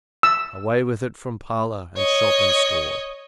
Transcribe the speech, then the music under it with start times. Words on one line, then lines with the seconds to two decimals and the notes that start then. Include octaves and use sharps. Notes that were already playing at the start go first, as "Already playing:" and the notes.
Away with it from parlor, and shop, and store!
0.23 E6
1.97 C#5 D#5